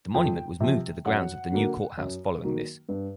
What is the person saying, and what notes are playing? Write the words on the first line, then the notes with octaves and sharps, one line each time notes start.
The monument was moved to the grounds of the new courthouse following this.
F2 G5
C3 F3
F#2 F#5
D3 F#3 A#3
F#2
D#3 F#3 A#3
G2